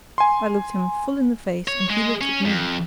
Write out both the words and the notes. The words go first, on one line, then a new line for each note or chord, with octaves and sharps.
I looked him full in the face, and he looked at me.
G#5 C6
C#5
G#3
C#4
F2